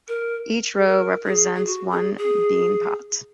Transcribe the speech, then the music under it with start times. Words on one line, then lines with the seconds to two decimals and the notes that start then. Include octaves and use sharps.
Each row represents one Beanpot.
0.08 A#4
0.76 G#4
0.87 A#4
1.26 G#4
1.55 G#4
1.66 F#4
1.91 G#4
2.18 G#4